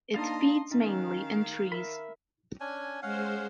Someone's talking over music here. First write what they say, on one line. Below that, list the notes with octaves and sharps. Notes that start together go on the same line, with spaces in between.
It feeds mainly in trees.
A#3 D4 D#4 D#5 F5 A5 A#5 C6
D#3 C#4 D#4 F5
A#4 E5 B5
C#4 D4 G#5
G#3 C#4 C5 F5 F#5